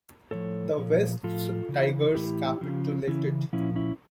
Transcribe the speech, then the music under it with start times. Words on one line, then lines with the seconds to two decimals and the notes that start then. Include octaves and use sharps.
The Wests Tigers capitulated.
0.31 A2 F3 A4 C#5
0.78 A#2 F3
1.23 A2 F3 F4 A4
1.69 C#3 E3
2.15 A2 E3 E4 G4
2.61 C#3 F3
3.07 C#3 E3 C#4 E4
3.53 A#2 F3 C#4 E4
3.76 C#4 E4